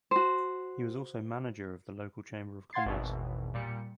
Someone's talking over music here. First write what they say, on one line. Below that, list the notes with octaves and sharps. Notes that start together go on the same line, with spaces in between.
He was also manager of the local chamber of commerce.
F#4 C5
F5 F#5 C6 G#6 A6 C7
G#1 E2 B2 E3
A#2 G3 C#7